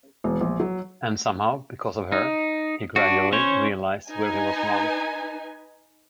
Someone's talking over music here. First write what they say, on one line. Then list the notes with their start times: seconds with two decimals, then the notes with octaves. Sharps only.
And somehow, because of her, he gradually realised where he was wrong.
0.24 E1
0.41 A#1
0.60 F#3
2.12 D#4
2.96 D4 F#4
3.33 C#4 C5 C#5
4.11 D#4 B4 G#5